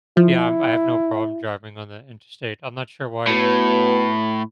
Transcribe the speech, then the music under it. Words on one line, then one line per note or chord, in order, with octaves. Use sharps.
Yeah, um, I, have no problem driving on the interstate, I'm not sure why
F3 E4
A2 B3 F#4 B4